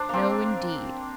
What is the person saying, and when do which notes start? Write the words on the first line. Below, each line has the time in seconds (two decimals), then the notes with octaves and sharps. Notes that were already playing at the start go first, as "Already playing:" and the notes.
"No, indeed."
Already playing: D4 C5
0.09 A#3 C4